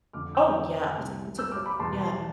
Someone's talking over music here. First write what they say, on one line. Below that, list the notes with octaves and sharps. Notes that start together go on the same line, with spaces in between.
Oh, yeah. S It's okay. Yeah.
F2 D3 F3 D6 F6
E6 G6
C2 C3 G3
E6 G6
D6 F6
B5 D6
E2 B2 G3 A5 C6
A5 C6